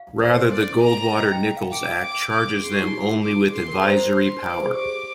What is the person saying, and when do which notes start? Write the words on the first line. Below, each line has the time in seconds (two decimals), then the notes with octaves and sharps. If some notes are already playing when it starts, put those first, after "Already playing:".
Rather, the Goldwater-Nichols Act charges them only with advisory power.
Already playing: F5
0.21 C5
0.52 D5
0.81 A#5
1.12 D#5
1.22 G5
1.32 G5
1.57 F5
1.72 G5 D6
2.02 D6
2.32 D6
2.62 G#4 C6
2.72 G4
2.82 D#4
2.92 F4
3.23 D6
3.52 G#4 C6
3.68 A#4
3.78 A#4
3.83 C5 A#5
4.14 C6
4.43 D5 D6
4.54 C5
4.63 G#4
4.74 G4 D6